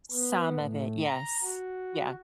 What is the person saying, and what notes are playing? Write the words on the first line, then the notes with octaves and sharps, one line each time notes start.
Some of it, yes, yeah.
B3
A2
A#5
F#4